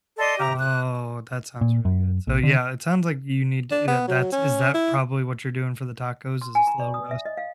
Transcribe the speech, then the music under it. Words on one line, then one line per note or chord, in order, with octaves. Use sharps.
Oh, that sounds really good. So, yeah, it sounds like you need, t eh, that that is that probably what you're doing for the tacos is a slow roast?
A4 D5 D#5 C6
G4 A#5
F#6
A#2
F#2
A#1
D3
D4
B3
F#3
C#4
E4
C6
G#5
A#5
D5
D#6
E5
D#5
F5